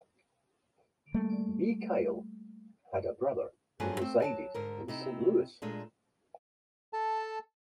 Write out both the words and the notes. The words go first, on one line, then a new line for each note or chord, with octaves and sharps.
Bee Kyle had a brother who resided in Saint Louis.
G3 A3 A#3
G2 F3 F#3 A3 G#4 G#5
A3 C4
F#3 G#5 A5
G#2 D3 A#4
C3 D#4 E4
A#2 G#3 A3 D4
A4 A5